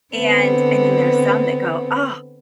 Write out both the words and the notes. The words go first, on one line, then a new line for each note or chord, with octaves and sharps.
and and then there's some that go, "Oh,
D3 B3 C4